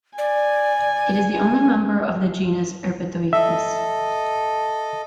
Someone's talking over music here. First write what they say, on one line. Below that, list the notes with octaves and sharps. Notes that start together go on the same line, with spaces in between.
It is the only member of the genus Erpetoichthys.
D5 G#5
A4 D#5 E5